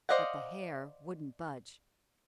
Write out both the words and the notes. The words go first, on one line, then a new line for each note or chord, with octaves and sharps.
But the hair wouldn't budge.
C5 D5 D#5 F5 F#5